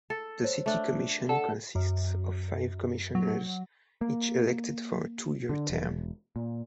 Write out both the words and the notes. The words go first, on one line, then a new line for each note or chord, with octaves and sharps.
The city commission consists of five commissioners, each elected for a two-year term.
A4
C5 C#5
A3 D4
A4 D5 F#5
F#2
F#3
A#3
D3
E1
A#2